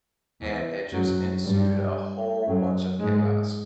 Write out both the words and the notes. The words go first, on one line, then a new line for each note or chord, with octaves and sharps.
and it just ensued a whole bunch of chaos.
E2 E3
F#2 F#3
G2 G3
F#2 F#3
G#2 G#3